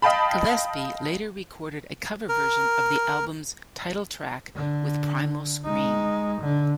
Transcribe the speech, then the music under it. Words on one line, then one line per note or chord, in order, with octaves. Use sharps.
Gillespie later recorded a cover version of the album's title track with Primal Scream.
D#5 F5 G5 A5 B5
A#4
D3
G#3 D#4
D3